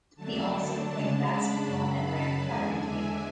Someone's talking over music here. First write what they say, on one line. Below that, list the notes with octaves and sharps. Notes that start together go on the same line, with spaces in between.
He also played basketball and ran track and field.
D3 F#3 A3 D4 A5
C#3 G#3 D4
B5
F#2 C#3 F#3
A5
E2 D3 G#3 D4 G#5
E5